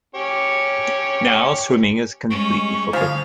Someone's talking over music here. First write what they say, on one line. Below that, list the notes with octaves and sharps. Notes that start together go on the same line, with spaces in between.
Now swimming is completely forbidden.
C#4 G4 C#5
G3 G#3 C#4 C#6
D3 F3 G#4 F5